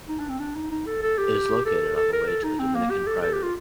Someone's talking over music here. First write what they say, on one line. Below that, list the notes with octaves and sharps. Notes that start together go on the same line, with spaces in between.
It is located on the way to the Dominican Priory.
D#4
D4
C4
D4
D#4
D#4
A4
A4
G4
A4
A4
A#4
A4
D#4
C4
A#3
G4
A4
A4
G4
F4